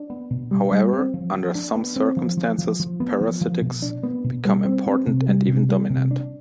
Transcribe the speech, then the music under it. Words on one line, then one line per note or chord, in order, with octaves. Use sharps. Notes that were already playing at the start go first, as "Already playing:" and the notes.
However, under some circumstances parasitics become important and even dominant.
Already playing: D4
B3
B2
G3
G3
C4
F3
F3
D4
B3
C4
F3
F3
F3
F3
B3
F3
F3
B2
D4
B3
B2
G3
C4
C4
C3
G3
C3
G3
C3
D4